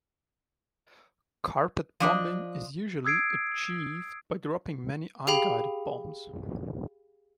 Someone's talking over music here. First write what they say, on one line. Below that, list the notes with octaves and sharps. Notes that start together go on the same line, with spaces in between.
Carpet bombing is usually achieved by dropping many unguided bombs.
F3 D4 D#5
D#6 E6 G#6 C7 D7
G4 G#4 F5 G5 B5